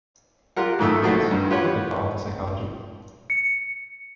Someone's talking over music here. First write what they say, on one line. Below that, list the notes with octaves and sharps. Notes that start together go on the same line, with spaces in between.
Yes, I could follow the psychology.
F4 G4 A#4 F#5
F2 G#2 D#3 A3 E6
D#3 F3 F#3 A3 A#3 F#4
G2
F4 G4 B4 C#5 F#5
C#7